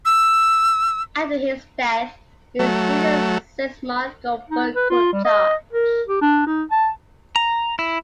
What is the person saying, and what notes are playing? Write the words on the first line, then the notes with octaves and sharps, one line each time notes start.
After his death, his student Szymon Goldberg took charge.
E6
F#3 A3
D#4
B4
F4
G3
D#5
A#4
G4
D4
D#4
A5
A#5
E4